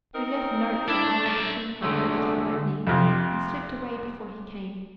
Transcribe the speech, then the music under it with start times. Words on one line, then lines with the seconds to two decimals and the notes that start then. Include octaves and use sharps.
We left notes and all we could think of that he might need, and slipped away before he came.
0.14 C4 D#4 A#4
0.88 D4 E4
1.05 A3
1.26 A#4 E5
1.82 D3 G#3 A3
2.87 F2 C3